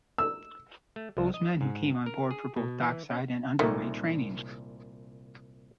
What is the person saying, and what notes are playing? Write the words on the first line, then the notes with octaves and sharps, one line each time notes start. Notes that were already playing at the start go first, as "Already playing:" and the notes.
Those men came on board for both dockside and underway training.
E6
A3
C2
D#5
G#2
A#4
G#4
B2
E3
C#4
C2 A#2 D#3 A3